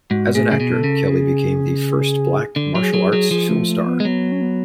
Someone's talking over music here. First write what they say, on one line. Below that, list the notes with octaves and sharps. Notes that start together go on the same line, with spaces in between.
As an actor, Kelly became the first Black martial arts film star.
G#2 F#4
A2 G#4
C#3
B2
A4
C#3
G#4
D3
F#3
G#4
F#3
G#4
F#3
F3 G#4
A3
A3
B3
G#3
F#3 B3
C#4
B3